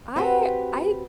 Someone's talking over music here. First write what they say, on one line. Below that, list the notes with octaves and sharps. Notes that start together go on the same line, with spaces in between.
I I
C4 F#4 G4 B4